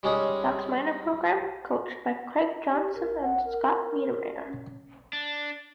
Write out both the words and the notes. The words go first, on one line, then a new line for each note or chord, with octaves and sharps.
Ducks minor program coached by Craig Johnson and Scott Niedermayer.
G3 G#3 C#4 D#4 G#4
G4
A#4
F#5
A#4
A#4
C#4
D4